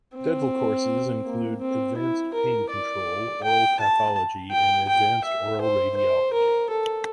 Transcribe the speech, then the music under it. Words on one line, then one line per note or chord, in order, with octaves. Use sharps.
Dental courses include advanced pain control, oral pathology, and advanced oral radiology.
C4
A#3
C4
E4
A#4
D5
G5
A5
G5
G5
E5
C5
C5
A#4
A4